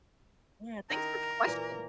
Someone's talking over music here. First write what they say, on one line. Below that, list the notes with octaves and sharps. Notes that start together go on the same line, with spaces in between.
Yeah. Thanks for the question.
D#3 D#4 E4 A#4
A#2 E3 A#3